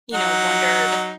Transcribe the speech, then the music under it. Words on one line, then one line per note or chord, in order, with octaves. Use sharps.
you know, wondered
F#3 D#4 F#5